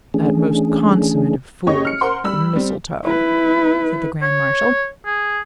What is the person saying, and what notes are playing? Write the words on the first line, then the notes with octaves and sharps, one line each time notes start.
"That most consummate of fools, the Mistletoe," said the Grand Marshal.
E3 A3 C#4 D4 G#4
F#1 G4 C#5 D#5 C#6
F6 C#7
A#4 C5 F#5 C6
G3 B5 E6
G3 C4
E4 B4
C#5
G#4